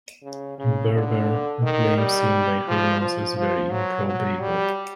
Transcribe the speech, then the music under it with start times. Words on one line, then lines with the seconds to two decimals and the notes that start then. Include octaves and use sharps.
Berber, a claim seen by Hermans as "very improbable".
0.23 C#3
0.58 C#3
0.93 D3
1.62 D#3
1.97 G3
2.67 F3
3.01 F3
3.36 F3
3.71 F#3
4.06 F#3
4.41 G3